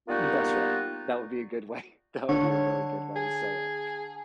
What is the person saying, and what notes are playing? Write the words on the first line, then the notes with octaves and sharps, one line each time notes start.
That's right. That would be a good way. That would be a really good way to say it,
G3 A#3 B3 D#4 F4 F#4
D3 C#5
G#4